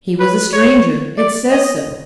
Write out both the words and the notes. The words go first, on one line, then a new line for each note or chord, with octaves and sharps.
'He was a stranger; it says so.
B4
C#5
D5
D#5